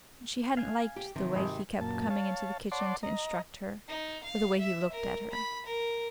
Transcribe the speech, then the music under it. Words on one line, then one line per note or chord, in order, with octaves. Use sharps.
She had n't liked the way he kept coming into the kitchen to instruct her, or the way he looked at her.
F5 G#5
G4
C3 D#3 F3
G#1 G4
F#2 A#2 A#3 A5
C#5 F5 A5
C#5 D5 F#5 A5 C6 D6
D#5 A#5
D#4
F5
E5
A#4
B5
A#4